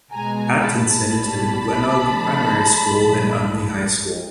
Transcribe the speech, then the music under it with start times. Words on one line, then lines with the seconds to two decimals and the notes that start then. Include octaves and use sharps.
Atkinson attended Glenelg Primary School and Unley High School.
0.12 B2 G#3 G#5 A#5
0.59 A5 B5
1.07 B2 G3 A5 B5
2.01 D3 F3 A3
2.96 A#2 F3 G#3